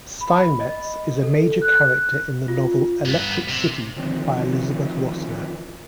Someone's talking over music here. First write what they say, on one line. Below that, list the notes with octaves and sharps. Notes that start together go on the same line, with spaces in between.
Steinmetz is a major character in the novel "Electric City" by Elizabeth Rosner.
B5
D#5
A4
F#6
F4
G2 B3
C3
D3 D#3 F3 C4